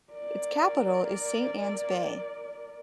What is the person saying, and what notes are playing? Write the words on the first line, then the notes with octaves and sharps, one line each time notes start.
Its capital is Saint Ann's Bay.
A#4 D5